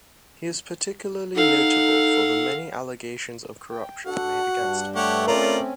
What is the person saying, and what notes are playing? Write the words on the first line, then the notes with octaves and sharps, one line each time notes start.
He is particularly notable for the many allegations of corruption made against him.
D#4 A4 F5 F#5
G5
D4 F#4 A4 F#5
G2 D4
A3 G4 C#5 F#5
C4 C#4 F4 A#4 C#5 D5 A#5